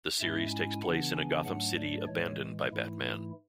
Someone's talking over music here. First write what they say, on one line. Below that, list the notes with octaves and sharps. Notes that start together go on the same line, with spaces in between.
The series takes place in a Gotham City abandoned by Batman.
G#2 G#3 C#4 E4 E5
G#5
C#3 E3 B3 D4 F#5
G#5
G#2 F#3 A3 D4 F#5
D5
A2 E3 G#3 C#5
G#2 E3 A3 E4